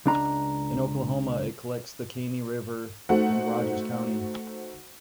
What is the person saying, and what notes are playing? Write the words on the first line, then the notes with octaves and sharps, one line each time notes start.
In Oklahoma it collects the Caney River in Rogers County.
C#2 D4 A#5
A3 D#4 F#4 C5 F#5